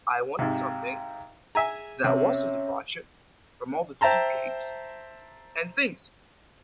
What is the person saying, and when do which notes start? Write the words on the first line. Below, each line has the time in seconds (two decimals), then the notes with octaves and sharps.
I wanted something that was a departure from all the cityscapes and things.
0.39 G#2 C3 F5 G5 A#5
1.55 G#4 E5 G#5 A#5
2.04 C3 C#4 C#5 E5
4.01 C5 E5 G5 A5 A#5 C6